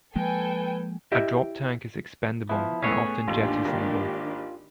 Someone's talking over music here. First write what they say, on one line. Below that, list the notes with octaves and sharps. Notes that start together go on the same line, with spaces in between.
A drop tank is expendable and often jettisonable.
F3 G#3 A#3 A4 B4 G5 G#5
E4 G4 D#5 E5
F3 B3 E4
A2 A3 B3 C#4 G#4 C#5
A1 D#2 D#3 D4 F4 G4
G#1 A#3